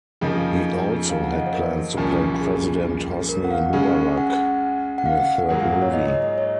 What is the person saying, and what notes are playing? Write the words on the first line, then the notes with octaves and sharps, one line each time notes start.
He also had plans to play president Hosni Mubarak in a third movie.
F2 C#3 F3 A#3 D#4
F5
F5
F#5
D#5
F5
C5
A#4
C2 A#2 F3 A#3 C#4
G#4
A#4
F#5
F5
C#3 G#3 C#4
F#5
F#5
F5
G#2 F#3 A#3 F4 G#4 F#5
F5
C#5
D#5
D#5
D#5
C#5